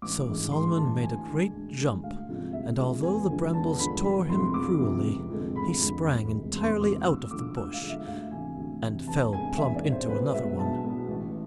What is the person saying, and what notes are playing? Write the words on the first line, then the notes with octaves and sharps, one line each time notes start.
So Solomon made a great jump, and although the brambles tore him cruelly, he sprang entirely out of the bush and fell plump into another one.
A1 D6
G#2 E3 G#3
A1 C6
G#2 E3 G#3 A5
D2 G#5
D3 G#3
D2
D3 G#3
D2 F5
C3 F3 G#3
D2 E5
C3 F3 G#3
E2 G#5
D3 F3 G#3
E2 A5
D3 F3 G#3 B5
F1 B5
F2 C3 F3 G#3 C6
F1 D6
F2 C3 F3 G#3
F1
F2 D3 G#3
F1 B5
F2 D3 G#3
E1
D2 C3 G#3
E1 C6
D2 C3 G#3 D6
D2 E6
D3 F3 G#3 D6
D2 E6
F5
D3 F3 G#3
E5
D2 F5
C3 E3 G#5
D2
C3 E3
E2 A5
C3 E3 G#3 G#5
E2 E5
D5
C3 E3 G#3
C5
B1 B4
B2 G#3 E5
B1 A5
B2 G#3
A1